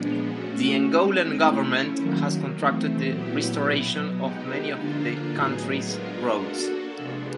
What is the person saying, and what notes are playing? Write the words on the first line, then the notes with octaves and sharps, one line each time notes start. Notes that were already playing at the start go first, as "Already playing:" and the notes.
The Angolan government has contracted the restoration of many of the country's roads.
Already playing: A#2 F3 G#3 B3 D4
A3 C#4 F#4
G#3 C4 D#4
F3 A3 C#4 E4
D#3 F#3 A#3
E3 A3 C4
A#2 F#3 B3 E4 G4
B2 F#3 B3
G#3 B3 D#4 G4
D3 F3 A#3 D4 F4
A2 F#3 B3 D#4 G#4
G#3 B3 D4 F4 A#4
A#3 D4 F#4 A4
C3 F3 G#3 B3 D4